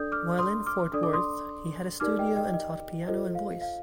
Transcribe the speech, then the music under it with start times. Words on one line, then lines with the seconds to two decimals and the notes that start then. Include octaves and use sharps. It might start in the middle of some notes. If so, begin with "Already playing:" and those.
While in Fort Worth, he had a studio and taught piano and voice.
Already playing: D4 A4 D5 D#6 G6
0.12 D6 F6
0.39 C6 D#6
0.66 D6 F6
0.93 D4 A4 D5 D#6
1.03 D6
1.13 C6 D#6
2.00 D#4 G4 A#4 D5 D6 F6
2.18 D#5 G5
2.36 D#5 G5
2.54 D#5
3.08 F4 A4 C5 D#5
3.35 F5
3.62 F5